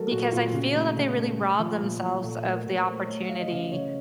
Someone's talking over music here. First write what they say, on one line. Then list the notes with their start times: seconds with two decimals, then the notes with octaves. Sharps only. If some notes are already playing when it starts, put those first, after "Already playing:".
because I feel that they really rob themselves of the opportunity
Already playing: F#3 A3 A4 A#4
0.11 A#2 F#4
0.32 A#2 F4
0.53 C#3 F#4
0.74 A3
0.97 C#3
1.17 A3
1.39 A3
1.59 F3
1.82 A#2
2.02 A#2
2.23 A#2 A4
2.45 A3
2.52 A#4
2.67 A#2
2.80 C5
2.88 A3
3.08 A3 C#5
3.29 F#3 F5
3.40 D#5
3.52 C#3 F5
3.72 C#3 C#5